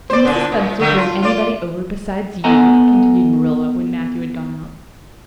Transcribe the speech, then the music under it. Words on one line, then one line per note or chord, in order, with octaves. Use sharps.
"Did Mrs. Spencer bring anybody over besides you?" continued Marilla when Matthew had gone out.
C5 D5
A#2 D3 D4
A#2
D3 A3 A#3
F4
F4 D5
B3 A4 D#5 F#5 G#5 A#5